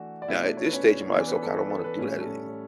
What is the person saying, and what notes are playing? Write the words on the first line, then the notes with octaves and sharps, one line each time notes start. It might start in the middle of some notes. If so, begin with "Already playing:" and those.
now at this stage, I'm like, "So, okay, I don't wanna do that anymore."
Already playing: E3 A3 D4 F#4
D5
B2 A3 D4 E4 E5
D4 D5
C#5
B4
C#4 C#5
E3 B3 C#4 D4 C#5
B4
A4
B4
A4
B4
A2 G3 C#4
A4